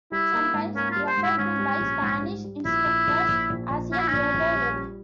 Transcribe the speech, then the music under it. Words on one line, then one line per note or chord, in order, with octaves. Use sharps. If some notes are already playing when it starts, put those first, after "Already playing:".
Sometimes referred to by Spanish instructors as a "Yo -go" verb.
G3 E4
A#3
G#2
A#3 C#4
F4
G3
C5
G#2
E4
G#2 C#4
G3
A#1
G#2
G3
G3
A#1 E4
A#1
A#1
A#1
A#1
A#1
A#2 C#4
E4
C#4
A#1
A#1
G3
G3